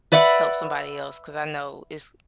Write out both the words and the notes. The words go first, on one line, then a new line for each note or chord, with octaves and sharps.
help somebody else- 'cause I know it's
B4 D5 E5 F#5